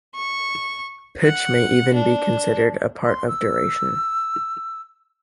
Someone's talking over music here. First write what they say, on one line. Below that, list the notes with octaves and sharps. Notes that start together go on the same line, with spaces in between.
Pitch may even be considered a part of duration.
C#6
F#5
D4
C6
E6